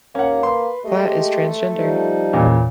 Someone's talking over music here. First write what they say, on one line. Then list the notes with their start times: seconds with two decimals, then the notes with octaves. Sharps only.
Platt is transgender.
0.15 D#2 A#3 C#4 F#5
0.43 B4 C6
0.85 G#3 A3 G4 D#5
1.74 F3 G3 D#4
2.33 E2 A#2 C#3